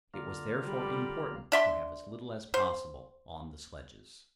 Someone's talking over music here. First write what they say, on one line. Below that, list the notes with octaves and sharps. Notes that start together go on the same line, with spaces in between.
It was therefore important to have as little as possible on the sledges.
D3 A#3 F4
G3 B5
D4 E5 C6
C5